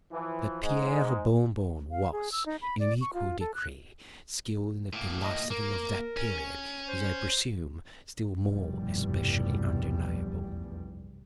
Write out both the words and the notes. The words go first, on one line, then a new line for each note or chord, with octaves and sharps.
That Pierre Bon-Bon was, in an equal degree, skilled in the philosophy of that period is, I presume, still more especially undeniable.
E3 F3
G#2 G#3
F5
G#4
E6
D#4
B5
D5
C#6
F4
A4
F#6
A2 A#3
D#5
A#3 A#4
C#4
C5
F1 B1 E2 G2 G3